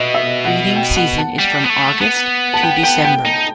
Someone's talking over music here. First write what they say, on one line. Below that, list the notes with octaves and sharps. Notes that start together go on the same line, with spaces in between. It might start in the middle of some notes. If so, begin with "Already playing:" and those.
Breeding season is from August to December.
Already playing: B2 D#5 E5
E5
F#5
G5
F#5
A5
G3
B3
A3
B3
A5
G5
G5
G5
D#4